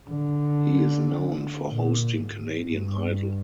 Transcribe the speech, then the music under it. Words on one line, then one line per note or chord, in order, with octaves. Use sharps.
He is known for hosting "Canadian Idol".
D3
A#2
G#2
G2